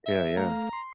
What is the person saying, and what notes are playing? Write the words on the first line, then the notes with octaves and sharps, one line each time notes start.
Yeah, yeah.
E5
A3 F5 A#5
C6